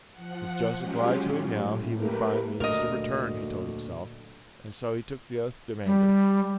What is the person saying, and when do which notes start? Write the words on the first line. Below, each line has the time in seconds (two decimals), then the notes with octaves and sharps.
If Joseph lied to him now, he would find means to return, he told himself, and so he took the oath demanded.
0.13 F3 F#5
0.77 F#3 G#3 C#4 F4 G4
1.21 A2
1.94 A3 A#3 G4 A#4 B4
2.60 D2 A#2 F#3 A3 A#4 D#5
5.86 G3